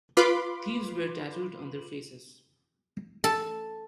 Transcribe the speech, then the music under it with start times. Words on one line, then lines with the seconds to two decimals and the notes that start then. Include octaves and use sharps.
Thieves were tattooed on their faces.
0.17 F4 B4 B5 C6 D6
3.24 A4